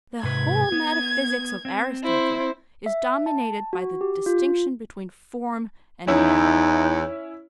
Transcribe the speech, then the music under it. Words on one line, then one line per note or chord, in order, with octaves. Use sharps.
The whole metaphysics of Aristotle is dominated by the distinction between form and matter.
G#2 C3 B4 G#6
B3
C4
E4 C5
E5
A5
F#4
G4
F4
E2 C#4 D#4 E4